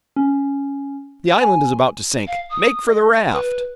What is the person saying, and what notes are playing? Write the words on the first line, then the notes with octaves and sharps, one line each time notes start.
"The island is about to sink! Make for the raft!"
C#4
G#5
F5
D#6
D#5
B4